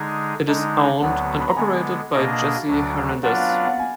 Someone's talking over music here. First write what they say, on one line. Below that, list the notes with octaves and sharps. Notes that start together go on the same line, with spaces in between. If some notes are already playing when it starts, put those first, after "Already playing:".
It is owned and operated by Jesse Hernandez.
Already playing: D3 G#3 D#4 G#4
D3 G#3 D#4
D2 D3 F#3 B3 F#5
B5
A#5
D3 G#3 B3 G#5
B2 A#3 D4 G#4 D#5
D2 D3 F#3
F#3 D4 F4 B4 D5 F#5
F5
F#5
F#5
G#5